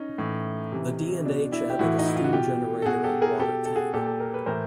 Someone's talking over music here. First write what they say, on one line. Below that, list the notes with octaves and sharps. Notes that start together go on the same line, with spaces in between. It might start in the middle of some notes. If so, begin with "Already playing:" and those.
The D and H added a steam generator and water tank.
Already playing: C#4 D#4
A2 E3
C3 E3
B2 D4
D4 E4
G4
A2 E3 E4 F#4
D#4
E4
F4
F#4
B2 F4 G4
A4
B2 F#4 G#4
G4 A4
G#4 A#4
B2 G4 A4
A4
F#4 G#4
A#2 G4 A4
A4
A#4
B4
A2 E3 A#4 C5